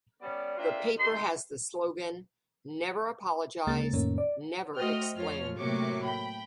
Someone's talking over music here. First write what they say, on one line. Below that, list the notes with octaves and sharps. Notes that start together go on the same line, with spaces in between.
The paper has the slogan "Never Apologise, Never Explain!".
G3 B3 C#4 D5
A#3 C4 D4 F4 E5
C3 D#4 C6
D2 C#3 G#3 A#3 A6
F2 A2 D#3 A#3 C#4
D5
A3 F#4 C5 D#5 G5 F6
F2 F3 F4 C#5 F6
A2 C3 F#3 A#3 C#6 D6
G5 B5